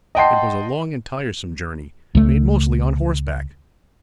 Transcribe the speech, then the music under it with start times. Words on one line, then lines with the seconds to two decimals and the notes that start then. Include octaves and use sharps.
It was a long and tiresome journey, made mostly on horseback.
0.15 D#5 F#5 G5 A5 C6 C7
2.15 C#2 A3